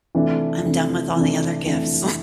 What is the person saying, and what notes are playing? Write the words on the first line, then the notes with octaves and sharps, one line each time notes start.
I'm done with all the other gifts."
C3 E3 A3 D4
C3 E3 A3 D4
C3 E3 A3 D4
C3 E3 A3 D4